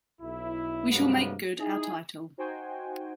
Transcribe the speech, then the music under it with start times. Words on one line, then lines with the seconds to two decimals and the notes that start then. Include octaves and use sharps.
We shall make good our title.
0.22 B1 E4
0.91 G2 C3 F#3 G#3 A#3 B3
1.59 D#4 E4 G#4
2.37 D#4 F#4 C5 G5 G#5